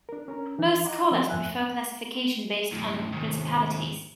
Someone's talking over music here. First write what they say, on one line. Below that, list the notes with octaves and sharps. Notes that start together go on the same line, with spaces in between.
Most scholars prefer classification based on principalities.
D4 A#4
C#4 A#4 A#5
E3
F4 D#5 F#5 A#5 D6
F3 C4 F4 A#4
F2 G#2 F3 E5 G#5 F#6
F#2 A2
D#2 G#2